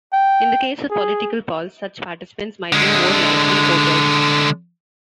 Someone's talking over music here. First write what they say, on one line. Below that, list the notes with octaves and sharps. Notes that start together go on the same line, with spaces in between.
In the case of political polls, such participants might be more likely voters.
G5
G#4
D3 G#3